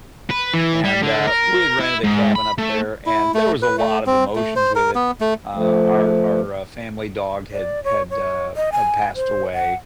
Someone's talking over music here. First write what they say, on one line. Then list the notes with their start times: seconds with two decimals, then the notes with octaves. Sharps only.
And, uh, we had rented a cabin up there, and there was a lot of emotions with it, uh, our our, uh, family dog had had, uh, had passed away,
0.30 B4
0.54 E3
0.84 G3
1.03 D3
1.27 A#4
1.80 E4
2.04 G#2
2.35 B5
2.58 A3
3.06 E4
3.34 A3
3.62 B4
3.78 A3
4.07 C4
4.35 A3
4.56 C5
4.76 A#4
4.95 B3
5.21 A3
5.55 F3 A3
7.53 D5
7.84 C#5
8.10 C#5
8.56 D#5
8.72 G#5
9.15 C5
9.54 F#5